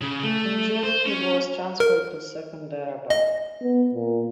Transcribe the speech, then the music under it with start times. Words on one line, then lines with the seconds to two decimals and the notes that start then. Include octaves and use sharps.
In June he was transferred to Secunderabad.
0.01 C#3
0.23 A3
0.83 C5
1.06 C#4
1.80 A#4
3.10 D#5
3.62 B3
3.94 A#2